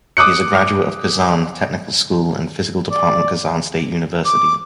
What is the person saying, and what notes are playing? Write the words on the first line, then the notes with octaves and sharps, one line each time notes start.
He is a graduate of Kazan Technical School and physical department Kazan State University.
D6 D#6 F#6 C#7
D5
D6